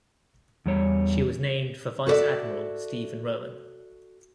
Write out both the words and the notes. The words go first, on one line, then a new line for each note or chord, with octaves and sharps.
She was named for Vice Admiral Stephen Rowan.
E2 G3 C#5
F#4 A4 B4 D5 E5